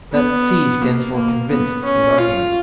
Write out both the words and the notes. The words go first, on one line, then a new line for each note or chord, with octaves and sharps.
That 'C' stands for 'convinced,' with argument.
B3
A#3
A#3
B3
C#4
F4